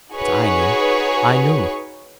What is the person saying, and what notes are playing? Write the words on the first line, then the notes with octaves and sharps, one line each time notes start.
But I knew, I knew!
D#4 F#4 G#4 B4 C#5 C#6